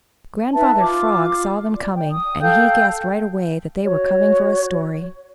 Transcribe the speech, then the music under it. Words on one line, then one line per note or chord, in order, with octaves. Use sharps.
Grandfather Frog saw them coming, and he guessed right away that they were coming for a story.
D#4 B4 E5 A5
F4 D6
D5
G5
D#6
A4 F5 G5 G6
F#4 C#5